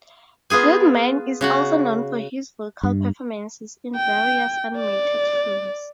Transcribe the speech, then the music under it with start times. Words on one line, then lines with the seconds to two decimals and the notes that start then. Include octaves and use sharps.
Goodman is also known for his vocal performances in various animated films.
0.50 B3 F4 G#4 G#5
1.41 C#3 F#4 F#5
2.83 G2
3.96 G5
4.78 D5